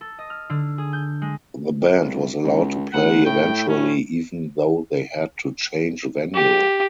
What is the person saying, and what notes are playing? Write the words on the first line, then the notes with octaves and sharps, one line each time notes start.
The band was allowed to play eventually even though they had to change venue.
A4
D#5
F6
D3
G#4
G6
G#3
C2
C#2
D2 F#5
A2 G5
C#4
G4